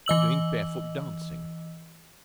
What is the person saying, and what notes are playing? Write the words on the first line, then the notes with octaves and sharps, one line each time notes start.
I'm doing barefoot dancing.
E3 D#5 E6 F#7